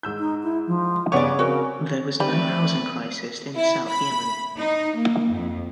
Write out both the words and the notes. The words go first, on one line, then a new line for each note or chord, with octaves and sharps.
There was no housing crisis in South Yemen.
G#2 E6 G6
D#4
E4
F3
G2 C#3 B3 C#5 D5 D6
C4 F#4 A#4
G3 A3 C4 B4 D5
E4
B5
D#4
A#3
F2